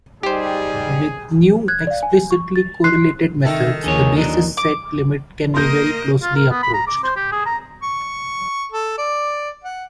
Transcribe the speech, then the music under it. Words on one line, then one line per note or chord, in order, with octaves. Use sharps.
With new explicitly correlated methods the basis set limit can be very closely approached.
G3 D#4 G4 G#4 C5
F#6 G#6
D5 F5
G#5
C#6
A6
C6 F#6 C7
C3 D#3 D#4 A4 E5
D#2 D3 F3 G#4 C#5
E3 F#3 D4 D#4
D6
A#3 A#4 D#5 C6 D#6 G6
F4
A#4
B3
B5
A#5
D6
C5
G4
G#4
A#5
C#6
A4
D5
F#5